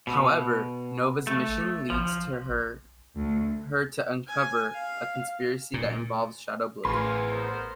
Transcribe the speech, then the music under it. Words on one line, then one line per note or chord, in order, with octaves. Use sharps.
However, Nova's mission leads her to uncover a conspiracy that involves Shadow Blade.
B2
A3
F3
D2
G#5
F5
A#2
A1 G#4 A#4 B4 F5 G#5 C6
B3 A#4 C5